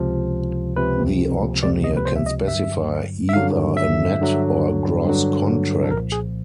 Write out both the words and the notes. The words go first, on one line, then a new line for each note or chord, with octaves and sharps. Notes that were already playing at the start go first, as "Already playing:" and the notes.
The auctioneer can specify either a net or gross contract.
Already playing: C#2 C3 F3
C#2 C3 F3 B4
C#2 C3 F3 D5
D#5
B4
C5
E5
D#5
G2 D3 F#3 E5
E5
G2 D3 F#3 F5
E5
G2 D3 F#3
G2 D3 F#3
A4
C2 A#2 F3 A#4
G#4